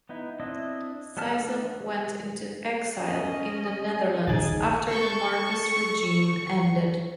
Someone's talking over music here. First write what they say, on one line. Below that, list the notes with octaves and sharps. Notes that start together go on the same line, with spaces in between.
Sison went into exile in the Netherlands after the Marcos regime ended.
B3 D#4 E4
C4 D4 E4 D#5
F#3 G#3 B3 A5 F6
E3 A3 D4 A4 A#4
C#4 D#5
D#1 A#1 C#3 D#4 G#4 G#6 A6
A4 C#6